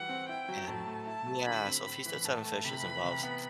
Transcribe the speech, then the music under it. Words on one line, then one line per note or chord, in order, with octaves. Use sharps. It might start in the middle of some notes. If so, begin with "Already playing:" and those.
and Yeah, so, Feast of Seven Fishes involves
Already playing: E3 G3 F#4 F#5
C4
E4 G5
F#3
A2 A5
A3
E4 A5
F#3
D3 B5
C4
A2 B5
E3
A2 A5
A3
C3 B5
E3
C3
B3